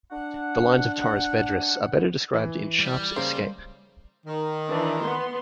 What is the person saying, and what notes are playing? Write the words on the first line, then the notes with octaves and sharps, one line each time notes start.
The lines of Torres Vedras are better described in "Sharpe's Escape".
D4 F#5
E3
G3
C#3 A#3 C5
D#3
E3 D4
B3 C6